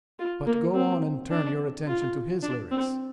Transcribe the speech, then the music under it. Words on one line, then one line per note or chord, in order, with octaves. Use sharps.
But go on and turn your attention to his lyrics.
F4
A#3
C4
D4
F4
D4
C4